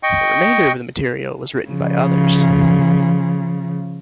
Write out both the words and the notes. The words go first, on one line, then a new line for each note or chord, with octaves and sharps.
The remainder of the material was written by others.
D#5 G5 C#6
C#3 F3